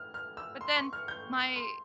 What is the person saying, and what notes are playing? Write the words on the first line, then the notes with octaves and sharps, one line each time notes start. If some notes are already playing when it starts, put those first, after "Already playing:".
but then my
Already playing: F6
F6
E6
C6
C#6
F6
G6
C6